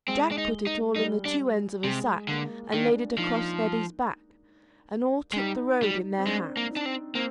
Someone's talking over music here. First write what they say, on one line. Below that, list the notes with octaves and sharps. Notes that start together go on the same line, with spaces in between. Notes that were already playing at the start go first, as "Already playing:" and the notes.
Jack put it all in the two ends of a sack and laid it across Neddy's back, and all took the road in their hands.
G#3 C4
D4
D#4
D#4
G3 D#4
D4
C3 G#3
D3 A#3
D#3 D4
F3 D#4
G#3
G3 D#4
G3
C4
G#3 D4
A#3
D#4
D4
C4
A#3 C4